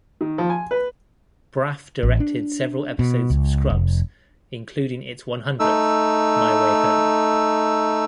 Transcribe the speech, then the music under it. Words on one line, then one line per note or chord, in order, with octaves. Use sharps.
Braff directed several episodes of "Scrubs", including its one-hundredth, "My Way Home".
D#3
F3
G#5
B4
A1
D4
B2
C#2
F1
A3 D#4 E6